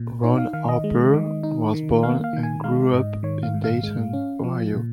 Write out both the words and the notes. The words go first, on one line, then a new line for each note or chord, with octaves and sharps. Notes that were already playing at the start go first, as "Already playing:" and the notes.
Ron Harper was born and grew up in Dayton, Ohio.
Already playing: A#2
D#4 C#5
F5
D#3 F5
D#5
G#3
D#3
D#4
D#3
A#3 F5
F5
D#3
G#5
G#3 F5
G#2 D#5
D#3 C#5
F5
G#2
F5
G#3
C#4
F3
A#2